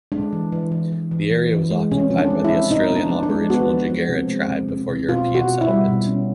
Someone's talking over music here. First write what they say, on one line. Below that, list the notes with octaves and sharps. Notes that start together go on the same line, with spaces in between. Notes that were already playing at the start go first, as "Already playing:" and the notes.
The area was occupied by the Australian Aboriginal Jagera tribe before European settlement.
G#3 D4
E3
E3
E3
E3
E3
E3
E3
G#3
C3 C#4
F3
D4
G#3
E4
C3
C3 D#4
B3
D4
F3
D4
G#3
B3 F#4
F3
F3
C3
G#3
C3
C3
C3
B2 F4
B2
F#4
B2
E4
G3
B2
C#4